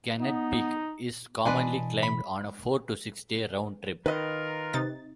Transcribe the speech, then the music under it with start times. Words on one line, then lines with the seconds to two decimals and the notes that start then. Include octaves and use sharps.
Gannett Peak is commonly climbed on a four- to six-day round-trip.
0.20 B3 D#4
1.45 B2 E3 G#3 D4 B4
2.03 B5
4.06 D#3 F4 A#4 B4 D#5
4.73 C3 D#4 A6